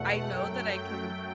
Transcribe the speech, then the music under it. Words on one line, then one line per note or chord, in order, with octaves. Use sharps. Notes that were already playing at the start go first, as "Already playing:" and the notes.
I know that I can
Already playing: E2 B2 A3 F#5
F#2 F#3 A3 G5